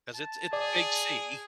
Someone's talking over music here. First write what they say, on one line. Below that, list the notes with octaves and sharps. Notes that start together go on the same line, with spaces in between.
'cause it's it's a big sea,
A5
G#4 D5